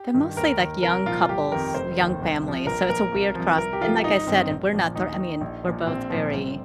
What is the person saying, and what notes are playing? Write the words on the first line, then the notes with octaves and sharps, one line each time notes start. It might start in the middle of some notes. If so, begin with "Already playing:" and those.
They're mostly like young couples, young families, so it's a weird cross. And like I said, and we're not, thr I mean, we're both very
Already playing: G4
G2 D#3
D#2 A#4
D#3
C2 A#4
A#2 F3 F4
G1 G4
F2 D#3 A#4
F1 C5
D#2 D#3
C2
C3 F3
A#1 A#4
A#2 F3 A#4
C2
C3 F3
C2 A#4
G4
C3 F3 F4
G1 D#4
G2 D#3 C4
A#1
A#2 F3
D#2 D#4
D#3
A#1
A#2 F3
A#1 C4
A#2 F3
G1